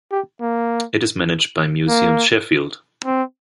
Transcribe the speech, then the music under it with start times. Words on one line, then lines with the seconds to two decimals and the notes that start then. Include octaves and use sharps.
It is managed by Museums Sheffield.
0.12 G4
0.41 A#3
1.88 A#3
3.05 C4